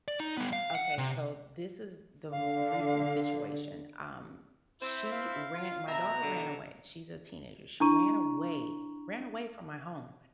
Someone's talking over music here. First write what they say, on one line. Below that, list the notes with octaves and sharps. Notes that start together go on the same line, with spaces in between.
Okay, so, this is the recent situation. Um, she ra my daughter ran away, she's a teenager, she ran away ran away from my home
D5
D#4
G3 B3
F5
F#5
C3
D3 F5
C4 E4 C5 E5
F5
F4
B2 E5 A#5
D3
D4 E4 A#5 C#6 D#7